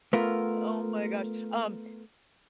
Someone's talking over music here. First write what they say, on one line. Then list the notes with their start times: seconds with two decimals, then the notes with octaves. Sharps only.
Oh my gosh, um,
0.13 A3 B3 F4 A#4